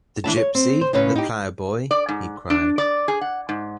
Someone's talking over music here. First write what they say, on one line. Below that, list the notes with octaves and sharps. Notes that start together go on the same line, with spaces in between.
'The gipsy — the ploughboy?’ he cried.
E3 D4 E4 A5
C#5
C4
C5
A2 C#3 C#4 B4
D#4 G4
D5
G#2
D4
D5
G#4
F#5
G#2